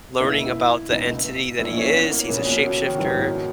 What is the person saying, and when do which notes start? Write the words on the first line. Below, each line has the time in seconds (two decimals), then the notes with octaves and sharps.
learning about the entity that he is, he's a shapeshifter,
0.20 C#2 B2 A#3 D#4 E4
0.89 C#2 B2 A#3 D#4
1.59 A#1 A#2 A#3 E4
1.77 C#4
1.94 B3
2.11 A#3
2.28 A#1 A#2 C#3 A#3
2.46 B2
2.63 B2
2.81 D#3
2.98 A#1 G#2 F#3 B3 E4